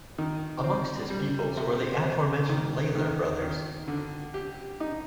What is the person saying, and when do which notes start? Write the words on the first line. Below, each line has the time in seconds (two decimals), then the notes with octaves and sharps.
Amongst his pupils were the aforementioned Lalor brothers.
0.18 D#3
0.64 C4
1.10 G3
1.57 C3
2.02 C4
2.49 D#3
2.95 D#3
3.42 D#3
3.88 D3
4.34 G4
4.80 D#4